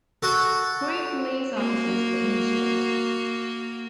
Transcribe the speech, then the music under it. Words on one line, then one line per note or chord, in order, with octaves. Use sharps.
Three police officers were injured.
F#4 A4
A#3 F#4